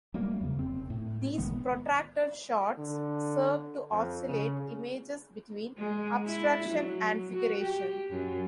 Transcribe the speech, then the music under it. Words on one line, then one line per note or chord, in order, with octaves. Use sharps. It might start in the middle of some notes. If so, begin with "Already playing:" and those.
These protracted shots serve to oscillate images between abstraction and figuration.
F#3 G3 A3 A#3
E2 C#3
F1 C4
A2
B1 D#3 G#3 B3
D3
F2
C#3
G#3
E4
F#3
F#4
G4
F#2